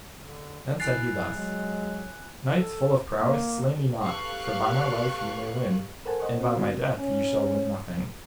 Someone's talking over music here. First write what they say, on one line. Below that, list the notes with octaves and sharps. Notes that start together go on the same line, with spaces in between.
Then said he thus: Knights full of prowess, slay me not, for by my life ye may win, and by my death ye shall win nothing.
D3
E4 G#5 F#6 A6 C7 F7
F#3 G#3
A4
A#3
G4 A4 B4 F5 C#6 F#6
A4 A#4 C5 F#5 G#5 A5
C5 D#5 F#5 C#6
B3 C4 F#4
D3 G3 G#3 C4 D4 F#4
C#4